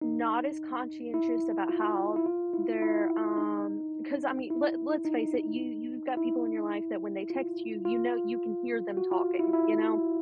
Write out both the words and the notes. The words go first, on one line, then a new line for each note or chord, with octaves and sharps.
Not as conscientious about how they're, um 'cause I mean, let let's face it, you you've got people in your life that when they text you, you know you can hear them talking, you know?
D#4
E4
F4
E4
F4
E4
E4
D#4
E4
D#4
E4
F4
F4
F#4
F4
E4
E4